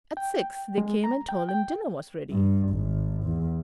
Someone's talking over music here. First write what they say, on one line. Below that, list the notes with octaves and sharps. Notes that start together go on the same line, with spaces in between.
At six, they came and told him dinner was ready.
G5
G#3
A#5
G5
G5
G2
G#1
E2